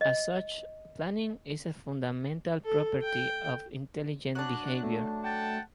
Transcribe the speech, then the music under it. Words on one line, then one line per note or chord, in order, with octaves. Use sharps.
As such, planning is a fundamental property of intelligent behavior.
D#5
A4
G5
F#3 D4 F#6
A3
F#5 G5 A5